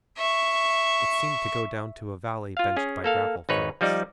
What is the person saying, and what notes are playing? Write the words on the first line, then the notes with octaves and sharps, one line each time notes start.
It seemed to go down to a valley benched by gravel flanks.
E5 C#6
F4 F5
C#4 G#4
A#3 A4 F5
G#1 D#4 B4 C#5
F3 G3 D#4 D5